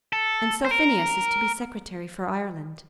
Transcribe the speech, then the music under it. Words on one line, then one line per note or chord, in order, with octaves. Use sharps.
And so Phineas is to be Secretary for Ireland!
A4
C5
A#4